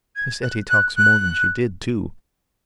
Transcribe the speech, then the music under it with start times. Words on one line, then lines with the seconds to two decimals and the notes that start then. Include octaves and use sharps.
Miss Etty talks more than she did, too.
0.15 G#6
0.42 F#6
0.69 F#6
0.96 F#6